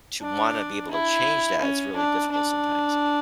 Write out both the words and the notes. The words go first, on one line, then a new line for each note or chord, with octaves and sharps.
to wanna be able to change that, it's really difficult sometimes.
D4
E4
C#4
D4
D4